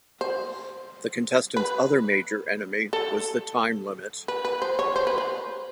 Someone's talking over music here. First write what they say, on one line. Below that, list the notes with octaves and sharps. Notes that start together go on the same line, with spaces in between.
The contestants' other major enemy was the time limit.
C5
B4
A4
B4
B4
C5
C#5
C5
B4
C5